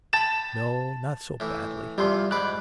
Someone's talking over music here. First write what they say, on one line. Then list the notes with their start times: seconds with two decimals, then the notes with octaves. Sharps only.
'No, not so badly.
0.13 G5 A5 B5 A6 E7
1.40 A2 E3
1.98 E2 C3 F3 G3 C6
2.31 G#2 D5 B5 D6 F#6